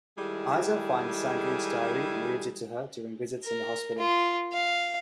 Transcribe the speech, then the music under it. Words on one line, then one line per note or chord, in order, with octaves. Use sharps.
Isa finds Sandrine's diary and reads it to her during visits in the hospital.
D#3 G3 G#3 E4 G#4 A4
A#4
F4
F5